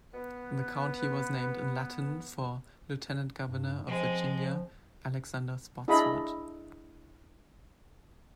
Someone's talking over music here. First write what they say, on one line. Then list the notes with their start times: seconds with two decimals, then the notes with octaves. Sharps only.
The county was named in Latin for Lieutenant Governor of Virginia Alexander Spotswood.
0.14 B3 B4
3.49 G2
3.87 F3 G#3 C4
5.88 D4 E4 G#4 D#5 F5 B5